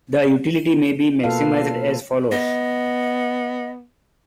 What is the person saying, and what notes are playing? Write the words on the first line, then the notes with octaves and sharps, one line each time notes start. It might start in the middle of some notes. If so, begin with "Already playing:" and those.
The utility may be maximized as follows.
B2 A#3 F4 A4 B4 F5
B3 D#5